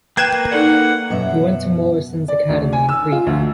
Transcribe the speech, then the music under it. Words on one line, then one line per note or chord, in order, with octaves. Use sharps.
He went to Morrison's Academy in Crieff.
A#3 B4 G5 F#6 G#6 E7
D#4 A4 D5 F#5
F#2 B2 E5
D5
D2
G#5
E6
F4
D2